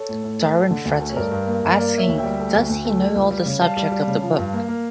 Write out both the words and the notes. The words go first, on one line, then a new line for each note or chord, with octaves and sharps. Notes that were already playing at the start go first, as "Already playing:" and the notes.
Darwin fretted, asking Does he know all the subject of the book?
Already playing: A4 C#5
A2
A2
A2
A3
D3
D2
A3
C#5
G2 A#4 D5
G2
A#3
G2
A#3 A#4 D5
A#3 C#5 E5
D2
E5 G5
G3
A3
D2
D2
A3
G3
C#2
G3
C#3
G3 F5 A5
G3
G3
C#3
F3
G2
A#3
A#3